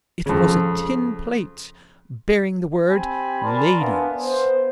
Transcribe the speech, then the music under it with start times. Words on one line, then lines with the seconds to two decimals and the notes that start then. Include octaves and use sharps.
It was a tin plate bearing the word "LADIES."
0.26 F2 C#3
2.89 C4 G4 G#5 B5
3.43 A#4 D5 A5 B5 C6
3.79 B3 D4 E5 F5 G#5
4.18 B3 C5